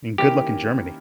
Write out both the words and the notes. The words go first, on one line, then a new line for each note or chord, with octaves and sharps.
And good luck in Germany.
D#3 A#3 C#4 E4 G4 A#4